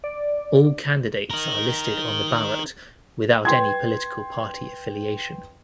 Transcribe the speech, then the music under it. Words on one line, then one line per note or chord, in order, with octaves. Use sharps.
All candidates are listed on the ballot without any political party affiliation.
D5
D#4 A#4
B4 G5 C6 G#6